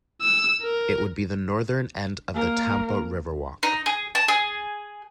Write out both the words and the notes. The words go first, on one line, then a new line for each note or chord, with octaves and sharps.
It would be the northern end of the Tampa Riverwalk.
E6
A#4
A#3 A#4
D#4
G#4
A5
G#4